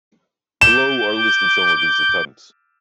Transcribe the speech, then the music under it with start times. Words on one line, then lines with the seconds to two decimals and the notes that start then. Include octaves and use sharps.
Below are listed some of these attempts.
0.61 D6 G6 E7